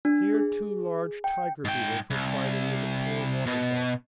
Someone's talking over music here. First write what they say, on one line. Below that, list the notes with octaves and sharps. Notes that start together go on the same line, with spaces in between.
Here two large tiger-beetles were fighting with a poor water-bug.
D4
G#4
G5
G#2 G5
C2
B2